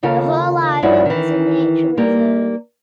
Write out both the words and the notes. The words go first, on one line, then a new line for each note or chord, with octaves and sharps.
The whole island is a nature reserve.
D#2 C#3 F4 A4 A#4 F5
G2 F3 C#4 D#4 E4 F#4
D#3 E3
G3 A#3 A#4